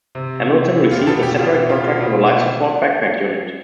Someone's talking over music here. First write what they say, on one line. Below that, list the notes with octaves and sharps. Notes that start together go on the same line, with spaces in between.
Hamilton received a separate contract for the life support backpack unit.
C3
E3
E3
F4
G4
B2 A4
G4
B2 F4
G4
B2 F4
B2